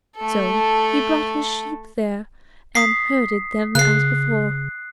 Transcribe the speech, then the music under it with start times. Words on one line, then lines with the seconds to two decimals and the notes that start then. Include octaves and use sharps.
So he brought his sheep there, and herded them as before.
0.17 A3 A4
2.75 D#6 B6 C7
3.75 C#3 F#6 C7